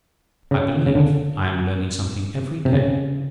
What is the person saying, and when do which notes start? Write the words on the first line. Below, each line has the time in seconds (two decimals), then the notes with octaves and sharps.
"I believe I am learning something every day."
0.51 C#3
0.86 C#3
0.95 D3
2.65 C3
2.73 C#3